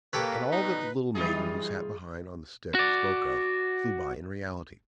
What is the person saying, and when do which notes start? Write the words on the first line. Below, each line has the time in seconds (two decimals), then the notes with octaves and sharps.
And all that the little maiden, who sat behind on the stick, spoke of, flew by in reality.
0.13 A#3 G4 A4 B4 C#5
0.53 B2 G3 D#4
1.15 E3 G3 D#4 F4 G#4
2.75 F#4 D5